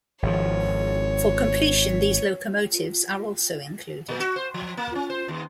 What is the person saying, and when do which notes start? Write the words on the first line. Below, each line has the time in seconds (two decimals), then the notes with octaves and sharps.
For completion these locomotives are also included.
0.23 G#1 F3 C#5
4.08 A#2
4.20 F#4
4.36 C5
4.54 F3
4.77 A#3
4.95 C#4
5.10 C5
5.28 D#2